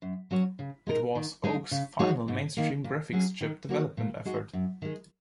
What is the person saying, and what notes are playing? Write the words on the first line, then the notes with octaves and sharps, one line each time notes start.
It was Oak's final mainstream graphics chip development effort.
F#2
F#3 C#4 F#4 C#5
C#3
G#3 D#4 A#4
D#3
G#3 D#4 G#4
C#3
G#3 D#4 F#4 C#5
G#2
D#3 A#3
A#2
F#3 C#4 G#4
D#3
A#3 F#4 C#5
A#2
G#3 D#4 F#4
F#2
D#3 G#3